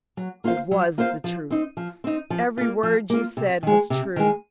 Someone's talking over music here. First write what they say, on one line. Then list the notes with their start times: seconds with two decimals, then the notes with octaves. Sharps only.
It WAS the truth; every word you said was true.
0.17 F#3
0.44 A#3 F4 C5 F5
0.71 F#3
0.98 A#3 F4 C5 F5
1.24 F3
1.50 C4 D#4
1.77 F3
2.04 C4 D#4
2.30 F3
2.57 A#3 F4
2.83 F3
3.10 A#3 F4
3.37 C3
3.63 D#3 G#3
3.90 C3
4.16 D#3 G#3